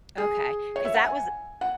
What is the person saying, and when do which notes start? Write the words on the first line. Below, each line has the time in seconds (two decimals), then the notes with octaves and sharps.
Okay, 'cause that was
0.18 G#4
0.76 C#5
0.85 E5
0.94 F#5
1.05 G#5
1.61 F#5